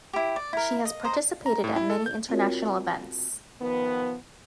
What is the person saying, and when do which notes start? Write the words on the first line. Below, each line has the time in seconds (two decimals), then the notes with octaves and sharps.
She has participated at many international events.
0.13 E4 G4
0.36 D5
0.53 E4 A#4
0.85 D#5
1.04 C5 D#5 A#5
1.46 A#5
1.64 A2
1.76 E4
1.90 A4
2.06 G6
2.29 C4 F4 F#4 A#4 C#5
3.61 D#3 F3 B3